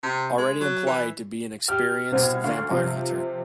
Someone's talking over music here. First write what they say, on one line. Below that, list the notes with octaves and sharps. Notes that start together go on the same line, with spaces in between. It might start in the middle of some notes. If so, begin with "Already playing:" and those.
Already implied to be an experienced vampire hunter.
C3
G#3
F#3
E3
G4 F6
C2 B2 C4 G#6
D2 F5
C3 F3 C4